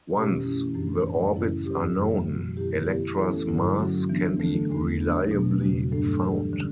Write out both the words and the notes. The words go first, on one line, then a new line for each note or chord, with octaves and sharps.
Once the orbits are known, Elektra's mass can be reliably found.
B2 A3 C#4 G4
F#2 E3 A3 C#4 E4
F#2 E3 A3 D4 G4
A2 E3 A3
F#2 C#3 G3 C#4 E4
G2 F#3 C#4 G4
F#2 C#3 E3 A3 E4
B2 F#3 B3 F#4
F#2 D3 A3 E4 G4
E3 B3 E4 G4
E3 A3 C#4 E4 A4
G2 D3 F#3 A3 E4
D3 F#3 C#4 F#4
E3 B3 D4
D3 A3 D4 A4
E2 D3 A3
F#3 B3 D4
B2 F#3 A3 D4
E2 C#3 G3 B3 F#4
G2 F#3 A3 D4 A4
E3 G3 D4 G4
D3 G3 C#4